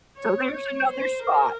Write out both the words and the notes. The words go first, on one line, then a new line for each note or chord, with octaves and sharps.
So, there's another spot
C#5
C#5
C5
A#4